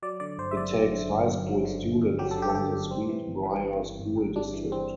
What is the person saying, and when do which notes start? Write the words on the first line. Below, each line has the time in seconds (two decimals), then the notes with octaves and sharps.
It takes high school students from the Sweet Briar School District.
0.03 F#3 D5
0.20 D3 D5
0.38 G1 C5
0.51 E5
0.56 F#2 D5
0.75 F#3
0.93 D3
1.10 G1
1.29 F#2
1.46 F#3
1.65 D3
1.83 G1
2.01 F#2
2.19 F#3 G4
2.31 A4
2.38 D3 G4
2.49 A4
2.55 G1 G4
2.74 F#2
2.91 G3 C4
3.09 E3
3.27 G1
3.45 G2
3.64 G3
3.82 E3
3.99 G1
4.17 G2
4.36 G3 D4
4.53 E3
4.72 C4